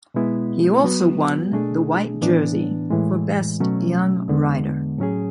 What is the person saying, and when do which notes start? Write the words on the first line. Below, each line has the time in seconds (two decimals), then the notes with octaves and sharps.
He also won the White Jersey, for best young rider.
0.14 B2 G#3 B3 E4
0.84 F#3 B3 F#4
1.52 B2 A3 D4 G#4
2.21 A2 E3 B3 D4
2.90 A2 E3 G#3
3.60 B2 F#3 A3 C#4
4.28 E2 D3 G#3 B3
4.98 A2 F#3 C#4 G#4